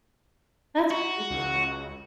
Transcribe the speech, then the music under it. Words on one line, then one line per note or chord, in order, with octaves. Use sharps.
That's crazy.
F#4
C#2